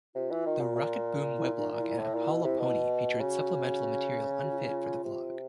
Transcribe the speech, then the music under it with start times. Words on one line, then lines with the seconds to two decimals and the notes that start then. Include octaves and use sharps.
The Rocketboom weblog and Apollo Pony featured supplemental material unfit for the vlog.
0.15 C3 F4
0.31 E3
0.46 D#3
0.60 A#2
0.76 A#2
1.37 E4
1.57 D#4
1.78 E4
1.98 A2
2.14 A#2
2.29 B2
2.44 C3
2.59 B2
3.20 C#3 F#4
4.43 F#4
4.51 F4
4.60 E4
4.68 F4
5.04 C3